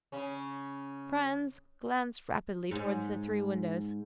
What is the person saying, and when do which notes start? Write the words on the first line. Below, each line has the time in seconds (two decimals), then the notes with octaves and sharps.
Franz glanced rapidly towards the three windows.
0.12 C#3 C#4
2.71 G#2